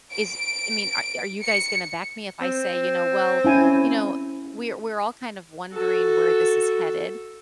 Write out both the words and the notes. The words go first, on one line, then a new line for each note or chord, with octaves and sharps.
Is I mean, are are you guys gonna back me if I say," you know, "'Well, you know, we're we're all kind of wondering where this is headed,'"
D7
C#7
C4
C#4 E4 G#5
F#4 A4